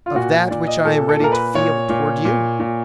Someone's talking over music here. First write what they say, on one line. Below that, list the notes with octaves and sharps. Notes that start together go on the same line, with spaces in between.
"Of that which I am ready to feel toward you."
F4
A#2 F#4
A#2 D5
D#5
A#2 A4
A4
A#2 A#4
B4
A#2 C#5
A#2
A#2
A#2